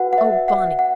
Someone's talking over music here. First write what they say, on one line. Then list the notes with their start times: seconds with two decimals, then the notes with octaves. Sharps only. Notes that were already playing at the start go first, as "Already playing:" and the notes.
Oh, Bonnie!
Already playing: F#4 B4 F#5
0.13 F#5
0.18 E5
0.48 F#5
0.79 F#5